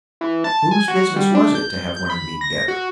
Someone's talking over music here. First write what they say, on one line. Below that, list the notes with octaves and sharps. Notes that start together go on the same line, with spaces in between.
Whose business was it to have learned me better?
E3
A5
G#5
F#4
G3
D4
G6
G6
B5
A#6
F#4